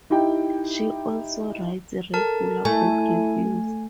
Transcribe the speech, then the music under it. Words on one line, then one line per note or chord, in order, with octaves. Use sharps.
She also writes regular book reviews.
D#4 E4 G4 G5
A4 A#4 A5
A3 E4 G#5